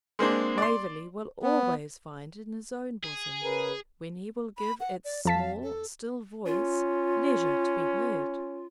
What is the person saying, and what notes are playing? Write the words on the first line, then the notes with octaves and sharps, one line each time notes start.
Waverley will always find in his own bosom, when he will give its small still voice leisure to be heard.'
G#3 A#3 C4 D4
D5 C6
B3
G#4
C#3 A#4 B4
B5
F#5
D5
F2 F5 A5 B6
A4
C#4 F4